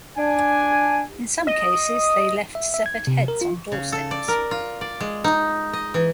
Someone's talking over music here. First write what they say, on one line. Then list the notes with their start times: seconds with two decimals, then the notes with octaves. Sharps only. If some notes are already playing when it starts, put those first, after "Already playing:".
In some cases, they left severed heads on doorsteps.
0.17 D4 G#5
1.47 D#5
2.55 E5
2.74 E5
2.86 G#6
3.07 C3
3.28 A#4
3.41 F4
3.72 C#3
3.92 A4
4.11 D5
4.28 A#4
4.51 F4
4.81 D5
5.00 G#3
5.24 D#4
5.73 D#5
5.94 E3